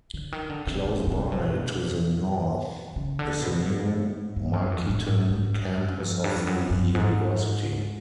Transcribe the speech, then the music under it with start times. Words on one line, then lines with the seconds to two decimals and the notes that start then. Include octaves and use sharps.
Close by to the north is the new Markeaton campus of the university.
0.14 D3
0.32 D#3
0.50 D3
0.67 C3
0.85 C3
1.07 C3
1.32 B2
2.96 C#3
3.19 D3
3.42 B2
3.66 A2
4.36 G2
4.53 F#2
4.72 F2
4.90 A2
5.07 G#2
5.30 G#2
5.54 G2
5.78 F#2
6.00 F2
6.24 G2
6.36 F2
6.47 F#2
6.70 F#2
6.95 G#2